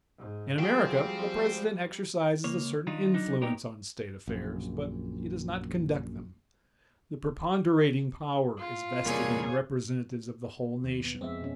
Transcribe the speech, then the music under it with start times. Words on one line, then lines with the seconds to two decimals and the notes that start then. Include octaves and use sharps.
In America the President exercises a certain influence on State affairs, but he does not conduct them; the preponderating power is vested in the representatives of the whole nation.
0.18 G#2
0.58 F3 G3 F#4 G#4 C5 G5
2.44 C#2 A#3 C#5
2.87 D#3 D4 D#4 F4
3.14 F#3 D4 D#4
3.42 A#3 B3 D#4 G4 A#4 C#5
4.28 A#1 F#2
8.58 F4
9.05 E2 C3 G3 A#3 D4 G#4 C#5
10.83 D#2 B2
11.04 B3
11.21 F2 G#3 C4 E5
11.41 B2 C#4